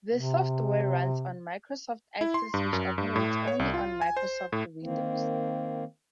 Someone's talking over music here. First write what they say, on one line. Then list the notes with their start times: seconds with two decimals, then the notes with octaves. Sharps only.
The software runs on Microsoft Access which operates only on Microsoft Windows.
0.14 C3
2.21 E4
2.34 C6
2.54 G2
2.73 F#2
2.98 G2
3.16 A2
3.47 C#5
3.59 C2
3.74 F4
4.02 G#5
4.17 C5
4.52 A2
4.83 D#3 A#3 C4